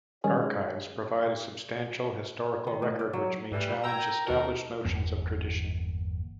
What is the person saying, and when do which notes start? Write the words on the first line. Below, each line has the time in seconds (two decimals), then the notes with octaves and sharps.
Archives provide a substantial historical record which may challenge established notions of tradition.
0.24 D#3 G3 G#3 C#4 G#4
2.67 D#3
2.82 A2
2.99 D5
3.13 F#3
3.52 G#2 E3 G3 A3
3.84 A#4 G5 A#5 E6 G6 G#6
4.26 D#2 A3 D#4 F#4 A#4 A5
4.85 G1 E2 A#3